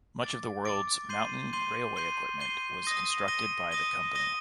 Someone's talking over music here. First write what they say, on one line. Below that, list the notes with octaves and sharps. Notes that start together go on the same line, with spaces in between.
Much of the world's mountain railway equipment was constructed by the company.
D6 A6 D7
D6 A6 D7
C6 G6 C7 D#7 G7
C6 G6 C7 D#7 G7
C6 G6 C7 D#7 G7
C6 G6 C7 D#7 G7
D#6 A#6 D#7 G7
D#6 A#6 D#7 G7
D#6 A#6 D#7 G7
D#6 A#6 D#7 G7